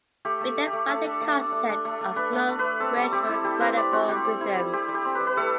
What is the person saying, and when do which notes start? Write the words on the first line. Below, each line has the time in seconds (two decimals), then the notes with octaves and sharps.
We then find the concept of non retro-gradable rhythms.
0.25 A3 G4
0.41 A3
0.57 A3
0.67 G4
0.73 A3
0.88 A3 A4
1.05 D4
1.21 A3
1.37 D4
1.52 D4
1.69 D4
1.85 A3
2.01 A3
2.16 D4 B4
2.33 A3
2.38 B4
2.48 A3
2.59 B4
2.64 A3
2.80 C4 A4
2.97 G3
3.03 A4
3.12 C4 G4
3.29 E4
3.44 G3 G4
3.60 C4 B4
3.77 C4 D5
3.92 C4 F#4
4.09 G3 G4
4.25 C4
4.41 E4
4.56 G3
4.73 C4 G4
4.88 G3
4.94 G4
5.05 C4
5.15 B4
5.20 G3
5.27 B4
5.37 A3 A4